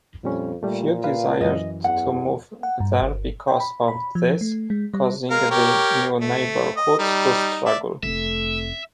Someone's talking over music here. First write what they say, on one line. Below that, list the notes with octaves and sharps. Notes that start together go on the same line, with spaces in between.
Few desired to move there because of this, causing the new neighborhoods to struggle.
F2 A#2 G3 C#4
A#2 G3 A3
B4 F5
F#2 E3 D#5
E2 F#5
F#5
G2
G1
G5
B5
B5
F3
A3
G#3
G3
G#3 A#4 F5
G4 A#4 C#5
A3
D#5
G3 D#4
D5 E5
F1 A3 C4 E5